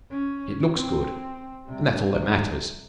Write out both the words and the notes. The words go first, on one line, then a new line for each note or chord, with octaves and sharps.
It looks good, and that's all that matters.
C#4
C4
C3 G3